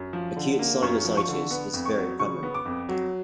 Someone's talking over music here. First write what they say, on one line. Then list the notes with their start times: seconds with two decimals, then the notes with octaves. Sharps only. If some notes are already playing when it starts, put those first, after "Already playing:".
Acute sinusitis is very common.
Already playing: F#2
0.13 F3
0.36 D3
0.59 A#3
0.82 F#2 C#6
1.05 F3
1.17 C#6
1.28 D3
1.51 B3
1.74 F2
1.85 C#6
1.97 F#3
2.20 C#3 C#6
2.43 B3
2.54 D6
2.65 F2
2.89 F#3